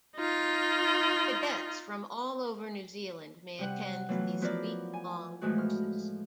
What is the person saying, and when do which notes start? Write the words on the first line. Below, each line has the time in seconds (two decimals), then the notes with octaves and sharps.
Cadets from all over New Zealand may attend these week long courses.
0.16 D#4 F4
3.58 C3 G3 F#5
4.09 E3 F#3 A3 B3 F4
4.41 F3 B3 E4 F4 A#4 D5
4.93 G#5
5.41 A2 E3 F3 G#3 A3 F#4
5.58 F6